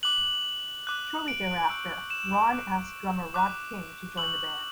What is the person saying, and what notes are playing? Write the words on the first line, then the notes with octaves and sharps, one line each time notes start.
Shortly thereafter, Ron asked drummer Rob King to join the band.
D6 F#6 F#7
D6 F#6
D7
C#6 E6 G6 D7
E7
D6 F#6
D6 F#6
C#6 E6 G6 F#7